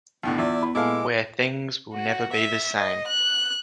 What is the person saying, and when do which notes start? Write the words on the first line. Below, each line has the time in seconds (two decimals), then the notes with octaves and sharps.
Where things will never be the same.
0.23 D#2 A2 D3 B3
0.38 E2 F4 D5 E5
0.60 E4 B5
0.75 A#2 G#3 E4 A4 B4 F5 G#5 D6
1.94 F#4
2.33 E5
2.76 D#5
3.07 F#6